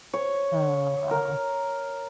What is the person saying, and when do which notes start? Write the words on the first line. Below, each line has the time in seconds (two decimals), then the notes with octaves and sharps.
Oh, wow.
0.13 C#5
1.11 A#4